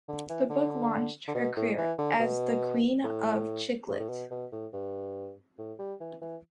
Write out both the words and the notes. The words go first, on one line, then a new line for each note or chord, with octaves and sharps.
The book launched her career as "the queen of chick lit".
D3
E3
D3
D3
B2
A2
E3
D3
B2
A2
G2
A2
B2
B2
A2
G2
A2
G3
E3
E3